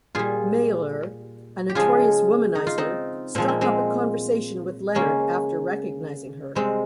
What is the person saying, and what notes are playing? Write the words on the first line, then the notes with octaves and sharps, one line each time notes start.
Mailer, a notorious womanizer, struck up a conversation with Leonard after recognizing her.
A#2 G3 F4 G#4
G4
C#3 F3 G#3 F4 G#4
D#4
F4
C4 D#4
A#2 F3 G#3 C4
A#3
G#3 C4
C#3 G#3 A#3 C#4
C3 G3 G#3 C4